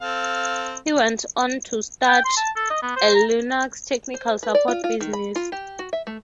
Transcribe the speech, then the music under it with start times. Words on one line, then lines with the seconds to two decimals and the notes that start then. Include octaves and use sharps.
He went on to start a Linux technical support business.
0.01 C4 A4 F5
2.08 G5
2.25 C6
2.37 A5
2.56 A4
2.70 D#5
2.82 B3
2.96 C5
3.15 A#5
4.14 C5
4.43 B4
4.55 D5
4.68 F4
4.84 F4
5.00 D#3
5.13 B5
5.36 F4
5.52 G4
5.79 F#4
5.93 E5
6.07 A3